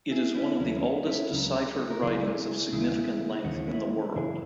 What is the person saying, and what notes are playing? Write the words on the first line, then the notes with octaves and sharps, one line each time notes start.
It is one of the oldest deciphered writings of significant length in the world.
E4 G#4
C#4 E4
D#2 C#3 F#3 C#4 E4
C#4 E4
C#2 C#3 F#3
A#4
C#2 C#3 F#3 E4 G#4
D#2 C#3 E3 G#3 E4 G#4
D#2 C#3 E3 G#3 D#4 F#4
D#4
C#4 E4
F#2 C#3 E3 E4 G#4